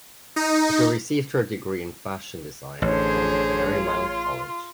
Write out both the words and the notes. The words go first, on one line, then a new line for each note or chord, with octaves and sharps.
She received her degree in fashion design from Marymount College.
D#4
A1 D3 G#4 C5 C#5
F4 C6